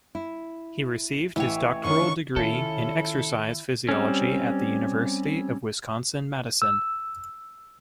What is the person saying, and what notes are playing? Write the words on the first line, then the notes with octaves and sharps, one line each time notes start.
He received his doctoral degree in exercise physiology at the University of Wisconsin-Madison.
E4
A1 E3 C#5 G5
D3 D#3 C#4 C#6
D#3 C#4 E4 F4 A4 C#7
G3 C4 C#4
E6